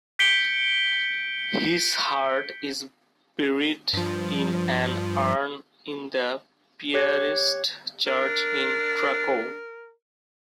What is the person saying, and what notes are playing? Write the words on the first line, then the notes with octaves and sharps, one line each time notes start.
His heart is buried in an urn in the Piarist church in Cracow.
G6 B6 C#7 D7 G7
G2 F3
G4 C#5 F#6 G#6 C#7
D4 A#4